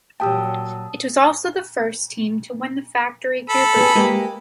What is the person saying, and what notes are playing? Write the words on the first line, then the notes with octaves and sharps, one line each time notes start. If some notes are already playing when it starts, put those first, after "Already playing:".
It was also the first win for the factory Cooper team.
A#2 F#3 G4 G5 A5 D#6 E6
A4 B5
B3 G#4
G#3 A#3 G4